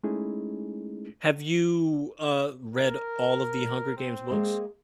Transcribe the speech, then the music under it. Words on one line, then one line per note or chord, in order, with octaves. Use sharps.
Have you, uh, read all of the Hunger Games books?
G#3 A3 C#4 D#4 E4 G#4
A#4
C4
G#3 A#3